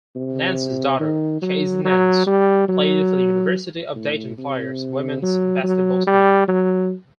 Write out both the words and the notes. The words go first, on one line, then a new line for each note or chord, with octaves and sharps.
Nance's daughter, Casey Nance, played for the University of Dayton Flyers women's basketball team.
C3
D#3
F#3
F#3
G3
F#3
A2
C3
F#3
F#3
G3
F#3